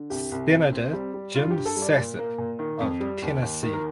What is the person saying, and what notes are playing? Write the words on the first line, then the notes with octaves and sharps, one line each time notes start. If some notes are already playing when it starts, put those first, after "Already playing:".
Senator Jim Sasser of Tennessee.
Already playing: D3
C2 G4
C2
C2
C4
G3
G3
G2 F4
G4
G2
A4
G3
D5
A#2
A#3
A#2
D#3
F2
G3
D#2
D#2
D#3
A#4